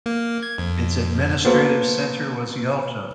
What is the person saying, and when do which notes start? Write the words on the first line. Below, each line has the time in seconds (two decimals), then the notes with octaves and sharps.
Its administrative centre was Yalta.
0.06 A#3
0.43 G#6
0.58 F2
1.45 A#3 B3 F#4 A4 C5